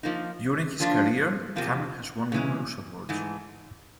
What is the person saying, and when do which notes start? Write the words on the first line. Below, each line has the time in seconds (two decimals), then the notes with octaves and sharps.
During his career Kamen has won numerous awards.
0.03 F3 A#3 D#4
0.80 F3 A#3 D4 F4
1.56 E2 C3 F3 A#3
2.32 C#3 E3 G#3
3.09 G#2 E3 A3